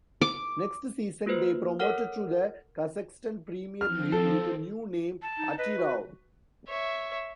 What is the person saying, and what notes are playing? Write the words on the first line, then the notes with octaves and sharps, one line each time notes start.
Next season, they promoted to the Kazakhstan Premier League with a new name Atyrau.
D6
A#3 F4 F#4 B4 C5
A4 A#4 C#5 F#5 F6
F3 C4 F6
A4
A5
D#4
B4 D#5
F#4
C#5 E5